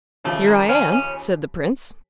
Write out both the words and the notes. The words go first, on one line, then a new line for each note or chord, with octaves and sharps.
"Here I am," said the prince.
D#2 C#3 F3 A3
A#3
C#4
C#4